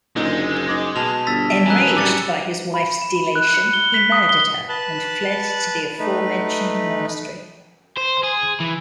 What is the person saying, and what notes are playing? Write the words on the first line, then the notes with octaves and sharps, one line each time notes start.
Enraged by his wife's delation, he murdered her and fled to the aforementioned monastery.
F#1 A#2 D3 G#3 D#4
D#4 D6 A#6
B2 A5 F7
G1 E6 A6 B6
F#2 E3 G#5 A#5 F#6
A2 C#3 G3 D6 A6 C#7
B5
E7
B5
F#6
C#7
G7
B6
D#6
G7
B4 A5 F#6
A3 D#4 B4
C5
G#4
E3